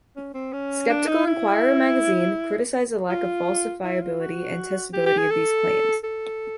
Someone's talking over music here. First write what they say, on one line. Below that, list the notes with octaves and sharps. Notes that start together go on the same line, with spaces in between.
"Skeptical Inquirer" magazine criticized the lack of falsifiability and testability of these claims.
C#4
C4
C#4
D4
D#4
E4
F4
E4
F4
F#4
G4
G4
G#4
A4
A4